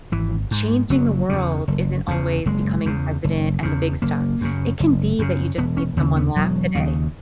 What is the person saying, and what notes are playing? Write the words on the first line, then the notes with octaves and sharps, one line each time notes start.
ee changing the world isn't always becoming president and the big stuff. It can be that you just made someone laugh today.
G#1 E3
G#2
F#1 F#3
E2 C#3
F#1
E2 C#3
F#1 G#3
E2 C#3
F#1
E2 C#3
F#1 A#3
F#2 C#3
F#1
F#2 C#3
E1 B3
C#4
D#2 C#3 B3
B3
E1 F#3
D#2 C#3